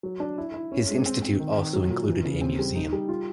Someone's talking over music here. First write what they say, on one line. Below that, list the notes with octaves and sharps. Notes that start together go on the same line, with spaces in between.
His Institute also included a museum.
F#3
D4
E4
E4
C#4
G#3
C4
C4
D#3
D#3
F#3
A#2
E3
C#3
C4
G3
D#4
G3
F4